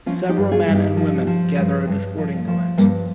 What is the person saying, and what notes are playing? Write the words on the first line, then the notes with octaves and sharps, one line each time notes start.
Several men and women gather at a sporting event.
F3 C#4 F4
D#4 G4
G2
F4 G#4
G2
D#4 G4
F3
F3
G2
G2
F3
F3
G2 G3 A#3